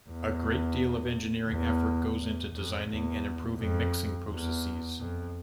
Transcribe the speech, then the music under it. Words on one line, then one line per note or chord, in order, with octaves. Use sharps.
A great deal of engineering effort goes into designing and improving mixing processes.
E2
E2
E2
F2
E2
F2
E2
F2